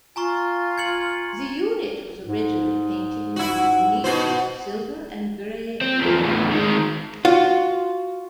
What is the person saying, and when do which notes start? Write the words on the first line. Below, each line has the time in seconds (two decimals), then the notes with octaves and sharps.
The unit was originally painted in a unique silver and grey livery.
0.16 F4 G#5 A#5 C#6
0.78 G#6 C#7 F#7
2.26 G#2
3.36 E4 F#4
4.04 B2 F#4 C5
5.81 C4
6.01 E2 F3
6.24 E2 A2
6.52 D#3 G#3
7.25 F4 F#4